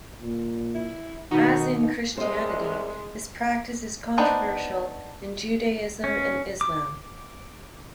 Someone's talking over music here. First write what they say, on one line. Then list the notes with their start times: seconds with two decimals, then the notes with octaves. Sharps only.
As in Christianity, this practice is controversial in Judaism and Islam.
0.22 A#2
0.75 E4
1.31 B2 D#3 D#4 F#4
2.17 C2 G#3 C5 D#5
4.18 B3 D4 D#4 B4 C5
6.04 C#4
6.61 D6